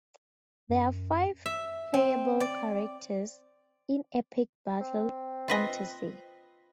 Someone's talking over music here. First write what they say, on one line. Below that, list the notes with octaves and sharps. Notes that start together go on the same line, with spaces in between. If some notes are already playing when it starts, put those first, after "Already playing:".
There are five playable characters in Epic Battle Fantasy.
F#2
E5
C4
D5
C4
F4 B4 D#5